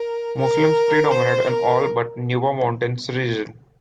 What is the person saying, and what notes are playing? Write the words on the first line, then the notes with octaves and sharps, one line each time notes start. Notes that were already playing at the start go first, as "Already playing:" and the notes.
Muslims predominate in all but Nuba Mountains region.
Already playing: A#4
A#4
C5
A#4